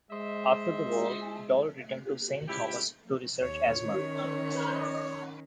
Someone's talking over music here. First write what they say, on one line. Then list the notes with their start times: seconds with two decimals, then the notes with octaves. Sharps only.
After the war, Doll returned to Saint Thomas' to research asthma.
0.11 G#3 C5 D#5 E5
2.48 C#2 E4 G4
3.42 D#2 C#5
3.82 D#3 C#4